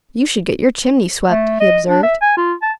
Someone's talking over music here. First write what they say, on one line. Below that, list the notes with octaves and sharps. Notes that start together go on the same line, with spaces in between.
"You should get your chimney swept," he observed.
A3
D#5
D4
E5
G#5
F4
A5